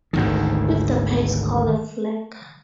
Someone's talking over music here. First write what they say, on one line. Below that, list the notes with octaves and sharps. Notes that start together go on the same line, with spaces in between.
If the pair is called a "flag".
G#1 D2 D#3